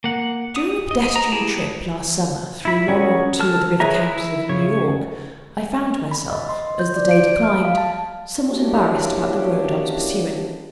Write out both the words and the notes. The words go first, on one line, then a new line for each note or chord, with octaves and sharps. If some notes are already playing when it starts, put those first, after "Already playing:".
DURING A pedestrian trip last summer, through one or two of the river counties of New York, I found myself, as the day declined, somewhat embarrassed about the road I was pursuing.
A#3 F#5
D#6
D#5
A#5
E4 G4 G#4 A5
E4 B5
C#4 F#4 G#4 A#4 C#5
A4 A#4 A5 F6
G#4 B4 C#5 E5 A#5
E4
C#3 C#5
B5
D#5
C6
G6
D5
D7
D7
F6
F5
A5
A#3 C#4 D4 E4 F#4 G4